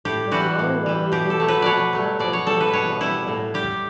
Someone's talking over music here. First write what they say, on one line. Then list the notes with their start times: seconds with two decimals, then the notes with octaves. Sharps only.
The following overview is based on P. M. Zaykov's monograph.
0.05 A2 G4
0.31 E3 G3 F#4
0.59 A2
0.86 E3 G3
1.12 B2 G4
1.30 A4
1.40 F#3 A3
1.48 B4
1.62 B2 C#5 D5
1.93 F#3 A3
2.19 B2 D5
2.33 C#5
2.47 G3 A4
2.60 B4
2.73 B2 C#5
3.01 G3 E4
3.28 A2
3.54 G3 G4